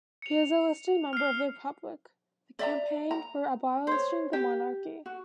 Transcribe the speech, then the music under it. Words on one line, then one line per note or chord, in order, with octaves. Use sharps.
He is a listed member of Republic, the campaign for abolishing the monarchy.
C#7 F7
F6 C7
D5 E5 A#5
A#5
C5 C#5
G4
F#4